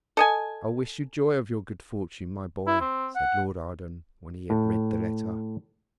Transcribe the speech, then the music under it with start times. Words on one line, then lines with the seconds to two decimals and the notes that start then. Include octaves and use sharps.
"I wish you joy of your good fortune, my boy," said Lord Arden when he had read the letter.
0.17 A4 D#5 G#5
2.67 E4
2.81 C4
3.16 F#5
4.50 A2